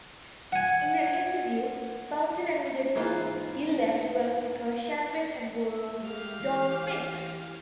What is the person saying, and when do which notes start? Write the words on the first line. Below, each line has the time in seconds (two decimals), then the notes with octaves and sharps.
In an interview, Fountain admitted he left Welk because Champagne and bourbon don't mix.
0.52 F#5 G#5
2.95 G#2 E3 A#3 F4
5.65 E5
6.01 G#3 G4 F5
6.39 E3